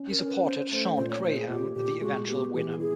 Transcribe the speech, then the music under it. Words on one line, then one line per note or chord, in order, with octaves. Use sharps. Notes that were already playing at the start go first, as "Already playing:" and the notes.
He supported Shawn Graham, the eventual winner.
Already playing: C#4
A#4
C#4
B4
C#4 C5
A3 C5
A#2 C5
C#5
A#2 C5
G#4
A#2 G4
A#2 G4
G#3 F#4
B3 G4
E3 G#4
G4
G#4
E3 G#4